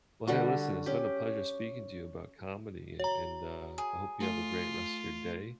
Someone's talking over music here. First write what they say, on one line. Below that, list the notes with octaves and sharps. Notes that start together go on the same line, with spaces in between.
Well, hey, listen, it's been a pleasure speaking to you about comedy and and, uh, I hope you have a great rest of your day
D3 G3 F#4
C#4 G4
F#4 C#5 A#5
G#4
A3 F4